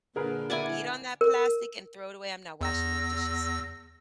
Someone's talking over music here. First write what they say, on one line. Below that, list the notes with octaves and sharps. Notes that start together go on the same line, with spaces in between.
Eat on that plastic and throw it away. I'm not washing no dishes.
A#2 D3 G#4 A#4 B4
A#3 E4 D5 F#5 G#5
A#4
E2 E6 A#6